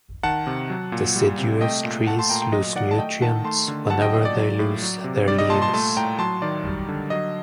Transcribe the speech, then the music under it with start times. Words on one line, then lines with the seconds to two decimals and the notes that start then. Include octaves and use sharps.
Deciduous trees lose nutrients whenever they lose their leaves.
0.23 D#3 F#5 A5
0.47 C3
0.70 F#3
0.92 A#2
1.16 G3
1.38 C3
1.61 A3 D#5 G5
1.84 A#2
2.07 A3 F#5 A5
2.19 A5 C6
2.29 A#2 G5 A#5
2.36 C6
2.42 G5 A#5
2.52 F#3 D#5
2.75 D#3 D5 F#5
2.91 A5
2.98 A3 D#5 G5
3.21 D#3 F#5 A5
3.44 A3 A5 C6
3.68 D3
3.90 F#3 F#5 A5
4.01 D#5 G5
4.13 A#2 D#5
4.25 D5
4.36 F#3
4.59 A2
4.82 F#3
5.04 C3
5.28 G3 D5
5.39 D#5
5.50 A#2 A5 C6
5.62 A5 C6
5.73 A3 A5 C6
5.97 A2 G5 A#5
6.19 F#3 A5 C6
6.42 D#3 D5
6.65 G3
6.89 D3
7.10 F#3 D#5